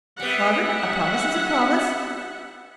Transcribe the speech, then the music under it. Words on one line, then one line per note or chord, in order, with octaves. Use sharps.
Margaret, a promise is a promise.
G3 B3 E5 F#5